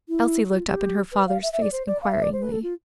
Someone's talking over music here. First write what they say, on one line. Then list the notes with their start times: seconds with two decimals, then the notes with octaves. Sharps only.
Elsie looked up in her father's face inquiringly.
0.08 E4
0.52 F4
0.68 G4
1.12 B4
1.27 F5
1.43 E5
1.53 E5
1.62 D5
1.72 C5
1.87 D5
2.02 F5
2.12 E5
2.22 D5
2.33 C5
2.42 B4
2.52 A4
2.63 F4